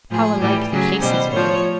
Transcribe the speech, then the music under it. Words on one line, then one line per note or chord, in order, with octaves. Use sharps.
How alike the cases were!
A2 F3 G#4
A2 E3 G3 G4
C#3 F#3 G#4
B2 G3 C5
A2 F3 C#5